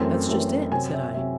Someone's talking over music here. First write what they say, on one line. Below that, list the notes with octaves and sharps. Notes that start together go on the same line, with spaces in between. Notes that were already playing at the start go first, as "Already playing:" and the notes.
"That's just it," said I.
Already playing: F#2 E3 A3 C4
F#2 E3 A3 C4
C3 F#3 C4 G#5
E5
C3 F#3 C4 E5